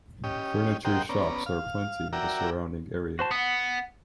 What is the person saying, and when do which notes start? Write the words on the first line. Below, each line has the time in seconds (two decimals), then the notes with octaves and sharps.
Furniture shops are plenty in the surrounding area.
0.24 C#4 G4 D#5
0.85 G4 A#4 C5 D#5 F#5 G5
1.09 B3 C#4 D5 A#5
1.46 F5
2.13 F#4 A#4 D5 E5 G5 A#5
3.19 F#4 C5 A5
3.31 B3 F#5 D#6